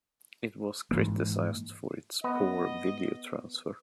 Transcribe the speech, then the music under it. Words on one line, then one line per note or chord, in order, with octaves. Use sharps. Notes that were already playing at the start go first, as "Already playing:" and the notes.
It was criticized for its poor video transfer.
G#2 E3 A#3
B3 D#5